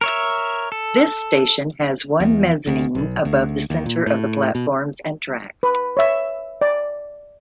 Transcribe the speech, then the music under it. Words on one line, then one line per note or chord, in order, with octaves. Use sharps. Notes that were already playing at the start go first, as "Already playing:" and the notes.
This station has one mezzanine above the center of the platforms and tracks.
A#4 C#5 E5
A4
E2
D2
B1
D2
D#2
A#2
A2
B2
B4
C#5 E5
D5